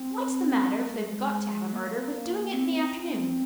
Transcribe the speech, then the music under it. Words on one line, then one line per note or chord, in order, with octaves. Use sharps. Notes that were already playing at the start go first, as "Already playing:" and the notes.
What's the matter, if they've got to have a murder, with doing it in the afternoon?
Already playing: C4
C4
A#3
G#3
A#3
C4